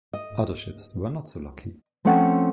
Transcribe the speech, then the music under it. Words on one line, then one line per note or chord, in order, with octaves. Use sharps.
Other ships were not so lucky.
D#5
F3 A3 C4 C#4 F#5 A5